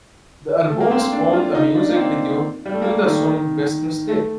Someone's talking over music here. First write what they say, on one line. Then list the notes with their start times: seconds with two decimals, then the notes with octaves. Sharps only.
The album spawned a music video to the song "Best Mistake".
0.69 A3
0.80 A#3
0.91 C4
1.01 C4
1.12 D4
1.33 F4
1.55 D#4
1.76 D4
1.89 A#3
1.96 C4
2.66 G3
2.74 A3
2.82 A#3
3.03 D#3
4.09 A3